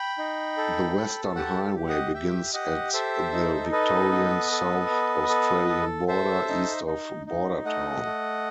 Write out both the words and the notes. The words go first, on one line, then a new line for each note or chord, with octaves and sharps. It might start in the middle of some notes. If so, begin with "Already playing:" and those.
The Western Highway begins at the Victorian-South Australian border, east of Bordertown.
Already playing: G5 B5
D#4
A4
A4
G4 F#5 A5
G4
D#5 F#5
G4 E5 G5
G4 D#5 F#5
A4 C5 E5
D#4
A4 B4 D#5
B3
A4
B3
A4
A4
A4 C5 E5
D#4
D#4
D#4
A3 D#5 F#5
A3